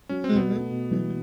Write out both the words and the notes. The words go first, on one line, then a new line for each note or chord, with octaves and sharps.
Mhm, mhm.
F#3 C#4
C4
B2
B3
A3
B2
E3